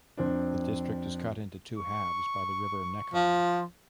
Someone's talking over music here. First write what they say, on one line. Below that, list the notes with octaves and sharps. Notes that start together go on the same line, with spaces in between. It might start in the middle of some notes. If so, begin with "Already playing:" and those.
The district is cut into two halves by the river Neckar.
F2 C4 D4
C#6
F3